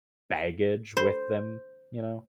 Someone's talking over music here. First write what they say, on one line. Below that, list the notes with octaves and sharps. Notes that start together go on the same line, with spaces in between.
baggage with them, you know.
C5